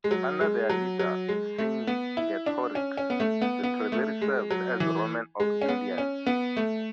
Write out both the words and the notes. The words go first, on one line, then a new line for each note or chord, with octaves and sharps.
Under their leader Cingetorix, the Treveri served as Roman auxiliaries.
G#3
F#3
G#3
F#3
F#3
G#3
A3
B3
E4
D4
C#4
C#4
B3
A3
B3
B3
A3
G#3
F#3
E3
G#3
C#4
B3
C#4
B3
A3